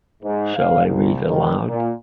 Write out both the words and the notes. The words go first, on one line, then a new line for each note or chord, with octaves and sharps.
Shall I read aloud?
G#2
F5
C2
D#3
A#2